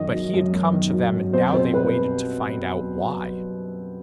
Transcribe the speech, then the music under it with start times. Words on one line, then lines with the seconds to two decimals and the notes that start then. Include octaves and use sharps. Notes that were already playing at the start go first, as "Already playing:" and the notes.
But he had come to them and now they waited to find out why.
Already playing: F#2 D#3 D#5
0.13 F#3
0.34 F#2
0.53 F#2
0.73 D#3
0.93 F#3
1.13 F#2
1.33 C4 C5
1.53 B2 C5
1.73 G3 B4